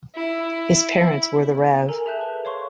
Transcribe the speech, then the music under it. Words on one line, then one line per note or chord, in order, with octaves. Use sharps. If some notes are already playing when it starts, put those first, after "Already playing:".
His parents were the Rev.
E4
A4 A#4 G#5 A#5
G#4 A4 E5 A5 F#6 G6
B4
C#5 F5 C6 C#6